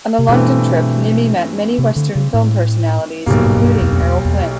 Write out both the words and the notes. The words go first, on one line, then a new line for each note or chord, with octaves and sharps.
On the London trip, Nimmi met many western film personalities including Errol Flynn.
C3
G2 B2 E3 A3 C4 E4
C3
D3
C#3
A2
B1 G#2 B2 G3 A#3
G#2
G#2
G2
F2
F2
E2
E2